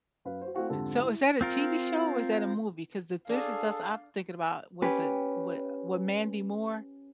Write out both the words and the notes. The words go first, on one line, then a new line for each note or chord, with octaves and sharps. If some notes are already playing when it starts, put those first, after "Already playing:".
So, is that a TV show or is that a movie? 'Cause the "This Is Us" I'm thinking about was a wa wa Mandy Moore
F#2 B4 F5
F#4 C5
A3 C4 E4 F#4 F5 G5
F2 G#2 D3 G4 A4
E4
C4 F4 A#4
D4 G#4 A4 F5 G#5
C#4 G4 B4